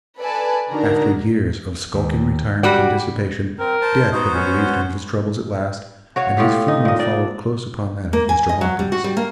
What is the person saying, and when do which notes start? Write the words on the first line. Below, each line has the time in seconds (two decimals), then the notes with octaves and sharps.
After years of skulking retirement and dissipation, death had relieved him of his troubles at last, and his funeral followed close upon that of Mr. Hawkins.
0.20 A4 B4 D5 G#5 A5
0.72 D3 D4 D#4 F#4 A#4 A#5
1.94 D#2
2.63 G3 F#4 G4 D5 F#5
3.59 C4 A#4
3.81 C5 A5
4.12 B3 D#4 F#4 C5
4.34 C#4
6.16 F#4 C#5 F5
6.37 A2 F4 G4 F5
6.68 D#4
6.85 A#2 D#5
6.99 D4 D5
8.13 A#3
8.29 G#5
8.49 D#5
8.61 F#3
8.79 G3
8.92 F#4
9.04 G3
9.17 A#3